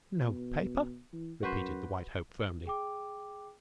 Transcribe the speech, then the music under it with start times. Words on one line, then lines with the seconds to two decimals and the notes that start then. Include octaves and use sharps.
"No paper," repeated the White Hope firmly.
0.20 B2
1.13 E3
1.43 F#2 F#4 B4 C5
2.66 G#4 G5 D6